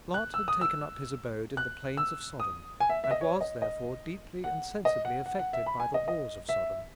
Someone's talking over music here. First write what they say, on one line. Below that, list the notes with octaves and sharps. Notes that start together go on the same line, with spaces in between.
Lot had taken up his abode in the plains of Sodom, and was, therefore, deeply and sensibly affected by the wars of Sodom.
F#6
E6
D#6
E6
F#6
E6
D#6
G#5
E5
E5
D#5
C#5
D#5
D#5
F#5
D#5
F#5
F#5
F#5
E5
B5
G#5
D#5
D#5
E5